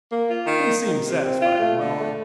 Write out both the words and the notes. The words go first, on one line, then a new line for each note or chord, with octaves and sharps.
He seemed satisfied, and went on.
A#3
F4
D#3
A#3
D#3
C3
C4
F4
A3
D3
A3